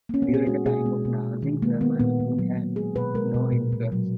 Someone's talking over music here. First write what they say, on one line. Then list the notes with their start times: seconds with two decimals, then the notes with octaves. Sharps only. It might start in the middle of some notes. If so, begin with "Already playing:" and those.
During the time of Nazi Germany he had no influence.
0.09 A#3 C#4
0.22 B3
0.28 A#2
0.34 G#4
0.47 G#3 F#4
0.66 B2 G#4
0.86 G#3
1.05 B2
1.23 G#3
1.42 D#3
1.62 G#3 A#3
1.81 D#3 B3
1.99 A#2 B3
2.20 A#2
2.39 F#3
2.57 A#3
2.76 G#3 G#4
2.95 B2 B4
3.15 G#3 A#4
3.34 B2
3.52 A#2
3.72 A#2
3.92 F#3